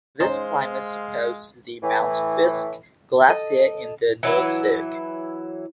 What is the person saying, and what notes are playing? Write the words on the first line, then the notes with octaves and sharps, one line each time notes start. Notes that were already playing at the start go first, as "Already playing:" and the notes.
This climate supports the Mount Fiske Glacier in the north cirque.
G#3 C#4 D#4 C5 F5
A2 E3
A4 D#5
E3 F#3 E4